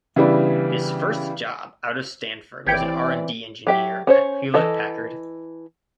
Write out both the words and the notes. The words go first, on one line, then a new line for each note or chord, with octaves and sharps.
His first job out of Stanford was an R and D engineer at Hewlett-Packard.
C#3 E3 G3 B3 D4 E4
G#1 E3 C4 G4 C#5 D5 G5 D7
F#3 G4 E5
C#4 C5 C#5
E3 A4 D#5